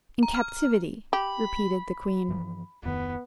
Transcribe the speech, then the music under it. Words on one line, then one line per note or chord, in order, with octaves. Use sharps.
"In captivity," repeated the queen.
A#5
F6
G4 B5
G2 E3 F3
D1 F2 D#3 B3